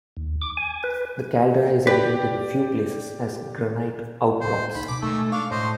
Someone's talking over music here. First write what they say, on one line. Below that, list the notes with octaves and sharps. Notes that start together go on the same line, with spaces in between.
The caldera is evident in a few places as granite outcrops.
D#2
D6
G#5
B4
G4 B4 D5 G5
A2 F3 C5
C#2 D#4 B5
B2 D6
B2 D#3 G#3 A3 E6
D4 F5 C#6 D6
A2 C5 C#5 D#5